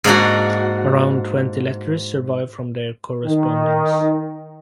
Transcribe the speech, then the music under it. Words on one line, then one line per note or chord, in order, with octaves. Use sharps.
Around twenty letters survive from their correspondence.
G#2 A#3 D4 F#4
D#3